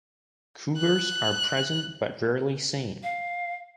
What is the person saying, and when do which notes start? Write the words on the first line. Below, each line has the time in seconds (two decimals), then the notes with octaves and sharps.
Cougars are present but rarely seen.
0.78 F#6
3.03 F5